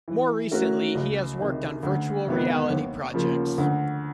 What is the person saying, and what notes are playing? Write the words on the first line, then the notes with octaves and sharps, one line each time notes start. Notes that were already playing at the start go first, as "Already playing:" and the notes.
More recently he has worked on virtual reality projects.
E3
A3 C#4 F#4 A#4
C#2
C3 D#3
D2
C3 D#3 G#3 B3
D#2
C#3 F3 A#3
D2